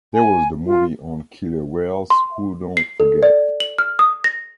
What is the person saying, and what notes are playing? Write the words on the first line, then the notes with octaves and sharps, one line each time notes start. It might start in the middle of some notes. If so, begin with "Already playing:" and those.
There was the movie on killer whales who don’t forget.
G#5
F4
C6
C7
A4
D5
F#7
F6
D#6
A#6